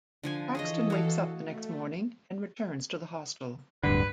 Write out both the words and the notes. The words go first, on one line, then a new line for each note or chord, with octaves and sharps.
Paxton wakes up the next morning and returns to the hostel.
D3 F3 G#5
E3 G#4 A4 C#5 D#5
F#4 F5
A3
D1 G2 D3 B4